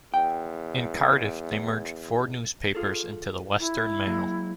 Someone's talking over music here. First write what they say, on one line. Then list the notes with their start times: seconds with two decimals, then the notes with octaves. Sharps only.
In Cardiff they merged four newspapers into the "Western Mail".
0.14 E2 G5
2.75 F4 G#4 A4
3.59 E4
4.07 F#3 G#3 A#3